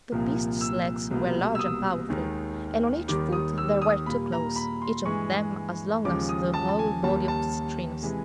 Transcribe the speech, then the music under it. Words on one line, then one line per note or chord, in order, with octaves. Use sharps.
The beast's legs were large and powerful, and on each foot there were two claws, each of them as long as the whole body of Citrinus.
C2 A#2 F3 A#3
E6
C2 B2 G3 A#3
E6
D#6
D#2 D#3 G#3
D#2 D#3 G3 D6
D#6
E6
D#6
A#2 G3 A#3 B5
A#5
B5
C6
G2 E3 G#3 C#6
D#2 C#3 F3 G#3 D6
D#6
A5
A5
G#5
D#2 D#3 G3 A#3 A5
A5
C3 E3 G#3